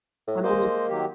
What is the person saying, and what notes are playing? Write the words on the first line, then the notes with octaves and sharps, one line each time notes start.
I'm almost
A2
G#3 A#3 C5 D#5
D#3 F#3 G4